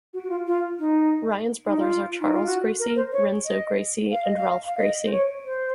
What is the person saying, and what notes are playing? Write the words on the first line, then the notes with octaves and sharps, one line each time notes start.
Ryan's brothers are Charles Gracie, Renzo Gracie, and Ralph Gracie.
F#4
F#4
F4
F4
D#4
D#4
F4
D#4
F4
F#4
A#4
C5
C#5
D#5
F5
D#5
F5
F5
D#5
C5
C#5
C5